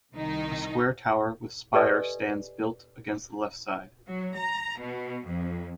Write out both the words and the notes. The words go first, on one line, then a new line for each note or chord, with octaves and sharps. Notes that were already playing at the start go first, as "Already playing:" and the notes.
A square tower with spire stands built against the left side.
C2 D#3 D#4
G4 A4 B4 D5 D#5 G#5
F#3
A#5
B2
F2